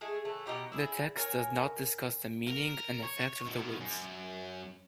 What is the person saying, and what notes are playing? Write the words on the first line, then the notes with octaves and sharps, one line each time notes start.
The text does not discuss the meaning and effect of the weights.
G#3 A3 G#4
A2 E3 A3
B2 D#4 G4 A#5
E4 G#4
A#4 C#5 G#5
A#4
C#5
B2 D#3
F#2